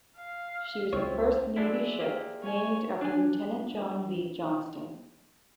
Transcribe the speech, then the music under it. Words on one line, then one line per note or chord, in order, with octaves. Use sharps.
She was the first Navy ship named after Lieutenant John V. Johnston.
F5
C#2 C4 E4 F4 C#5
F#3 G#3 D4 E4 D5 E5
A#3 G4
C#5 G#5
D4 G#5